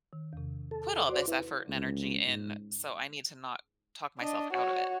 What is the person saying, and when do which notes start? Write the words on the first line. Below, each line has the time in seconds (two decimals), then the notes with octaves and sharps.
put all this effort and energy in." so I need to not talk myself out of it.
0.13 D#3
0.33 E2 C3
0.71 A4
1.09 F#4 C5 D5
1.28 E4 B4
1.68 C#2
2.27 G#2
4.19 D4 D#5
4.52 F#4 C#5